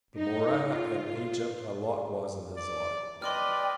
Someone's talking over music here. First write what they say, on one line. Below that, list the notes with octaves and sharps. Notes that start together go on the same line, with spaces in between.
The Morea, and Egypt, are likewise in his eye.
D#4
F4
D5
B4 D5 D#5 G5 C6 D6 F6